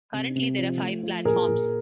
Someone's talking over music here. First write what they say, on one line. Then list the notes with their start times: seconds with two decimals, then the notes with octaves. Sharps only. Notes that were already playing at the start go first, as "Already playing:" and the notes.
Currently there are five platforms.
0.13 C3
0.36 C3
0.59 F3
0.81 A3
1.03 F3
1.25 A#2 G#4 A#4
1.48 A#2